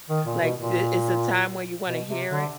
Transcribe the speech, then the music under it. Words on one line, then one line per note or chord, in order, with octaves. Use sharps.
like, th it's a time where you wanna hear it
D#3
A#2
B2
A#2
B2
C3
D3